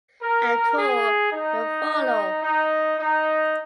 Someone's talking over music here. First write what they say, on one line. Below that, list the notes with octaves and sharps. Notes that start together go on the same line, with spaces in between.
A tour will follow.
A#4
G#4
D#4
D#4
D#4